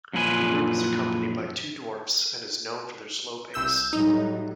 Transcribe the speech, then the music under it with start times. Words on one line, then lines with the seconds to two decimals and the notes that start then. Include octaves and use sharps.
The group is accompanied by two dwarfs and is known for their slow pace.
0.13 F#2 A#2 F3 B4 G#5
3.54 C2 E6 G6
3.93 A2 F#3 G3 D#4